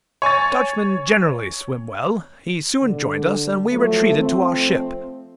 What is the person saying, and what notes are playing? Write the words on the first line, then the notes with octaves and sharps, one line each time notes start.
Dutchmen generally swim well: he soon joined us, and we retreated to our ship.
C#5 G#5 C#6 A6
D3
F3 F#3 A3
F3 A3 C4